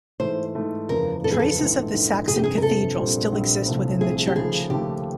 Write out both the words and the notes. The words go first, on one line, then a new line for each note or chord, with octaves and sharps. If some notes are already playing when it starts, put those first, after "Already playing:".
Traces of the Saxon cathedral still exist within the church.
G#2 E3 A3 C5
G#2 E3 A3
F#1 E2 C#3 F3 A#4
F#1 E2 C#3 F3 A4
G#4
A4
A#1 G#2 E3
A#1 G#2 E3
G1 F2 C3 G#4
G4
G#4
A#4
G1 F2 C3 A4
A#1 A#2 G3 C4
A#1 A#2 G3 C4
C2 C3 F3 A3
C2 C3 F3 A3 G#4
G4
D#2 C#3 F3 A3 G#4
D#2 C#3 F3 A3 G4